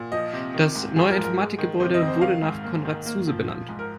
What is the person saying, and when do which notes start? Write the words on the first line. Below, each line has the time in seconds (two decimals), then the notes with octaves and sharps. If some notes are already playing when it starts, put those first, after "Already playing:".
Das neue Informatikgebäude wurde nach Konrad Zuse benannt.
Already playing: A#2
0.12 F3 D#5
0.33 C3
0.54 D#3
0.76 G#2
0.96 F3 G#4
1.10 A#4
1.17 G#2
1.24 A#4
1.39 G#3
1.58 D#3
1.80 C3 C5
1.94 D#5
2.02 F2
2.08 C5
2.21 D#3 F5
2.42 G#2
2.64 A#3
2.85 D#3
3.06 A#3
3.27 F3
3.48 F3
3.69 G#2
3.79 A#4